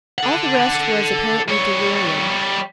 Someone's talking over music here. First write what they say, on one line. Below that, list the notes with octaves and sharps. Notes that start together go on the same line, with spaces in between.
All the rest was apparently delirium.
A4 F#5
G3 C#5